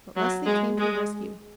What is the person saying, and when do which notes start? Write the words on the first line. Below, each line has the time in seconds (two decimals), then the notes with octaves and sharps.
But Leslie came to the rescue.
0.16 F#3
0.47 G#3
0.77 G#3